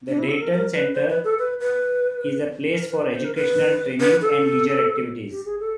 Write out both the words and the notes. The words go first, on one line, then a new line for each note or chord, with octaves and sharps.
The Deighton Centre is a place for educational, training and leisure activities.
D4
E4
A4
A#4
A#4
B4
C5
B4
A4
B4
B4
A#4
B4
C5
A#4
B4
B4
A4
G4
G#4
A4